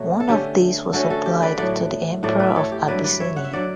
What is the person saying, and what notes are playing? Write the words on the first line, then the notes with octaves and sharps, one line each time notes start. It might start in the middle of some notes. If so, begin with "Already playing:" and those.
One of these was supplied to the Emperor of Abyssinia.
Already playing: B2 F#3 A3 F#4
A4
D3 A3 C#4 G4
D3 A3 C#4 F#4 A4
F#4 A4
G4
B4 D5
A2 F#3 A3 D5 F#5
A2 F#3 A3 D5 F#5
B4 D5
A4 C#5
G4
G2 D3 F#3 B4 D5
B4 D5
C#5 E5
F#5
E5
D3 F#3 D5 F#5